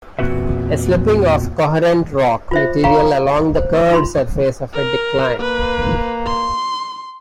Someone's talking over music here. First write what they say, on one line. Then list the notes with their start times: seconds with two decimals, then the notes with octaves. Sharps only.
A slipping of coherent rock material along the curved surface of a decline.
0.19 E2 A#2 C4 F#4 B4 E5
2.51 F4 C5 E5
2.84 C#5 F5 A#5 B5 C#6
3.55 C5
3.91 D#4 F4 B5 C6
4.73 A#4
5.40 A#3 B4
6.26 C6